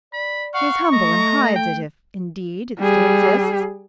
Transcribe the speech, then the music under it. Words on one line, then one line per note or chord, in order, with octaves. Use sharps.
He is humble and hides it, if, indeed, it still exists.
D5 B5
F5 F#5 C#6
A3 D#5 A#5
G5
G3 G#4